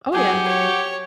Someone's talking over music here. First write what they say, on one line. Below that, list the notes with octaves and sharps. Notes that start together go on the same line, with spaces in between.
Oh, yeah,
F#3 G4 G#4 F#5
C#5